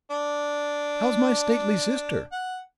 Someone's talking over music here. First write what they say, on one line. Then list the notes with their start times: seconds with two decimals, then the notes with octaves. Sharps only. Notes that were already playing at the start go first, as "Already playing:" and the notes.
How's my stately sister?
0.10 D4
2.32 F#5